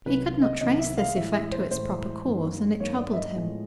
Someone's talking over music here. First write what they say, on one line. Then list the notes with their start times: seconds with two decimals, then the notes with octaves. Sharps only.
He could not trace this effect to its proper cause and it troubled him.
0.05 C2 C3 D#3 F#3 B4
0.42 D#5
0.61 C2 C3 D#3 F#3 D#5
0.79 E5
0.98 F5
1.15 A2 E3 G#3 E5
1.34 E5
1.52 C5
1.71 A2 E3 G#3 C5
2.25 G2 D#3 F#3 A#3
2.80 G2 D#3 F#3 A#3 C#5
2.99 D5
3.13 E5
3.17 D#5
3.35 A2 F3 G#3 B3